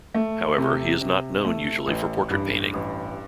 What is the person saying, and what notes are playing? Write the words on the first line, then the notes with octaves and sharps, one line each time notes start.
However, he is not known usually for portrait painting.
A3
C3
C3
A3
A1
G2
A1